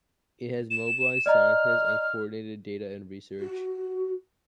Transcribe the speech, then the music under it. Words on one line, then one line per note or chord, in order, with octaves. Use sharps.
It has mobilized scientists and coordinated data and research.
E7
D5 D#5 A#5 F6
F#4